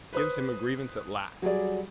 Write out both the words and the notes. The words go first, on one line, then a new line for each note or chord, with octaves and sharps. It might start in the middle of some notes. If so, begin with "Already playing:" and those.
It gives him a grievance at last.
B4 C5 D#6
F#3 G3 G#4 D5